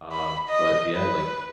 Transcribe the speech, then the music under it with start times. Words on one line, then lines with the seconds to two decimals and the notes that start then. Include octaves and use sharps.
Uh, but yeah, like
0.12 B5
0.48 D#5
0.95 B4